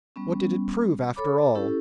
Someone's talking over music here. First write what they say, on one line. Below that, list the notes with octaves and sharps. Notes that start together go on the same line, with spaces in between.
What did it prove after all?
G3 B3 C#4
A4 C#5 B5 D6
C#4 E4 G4 A4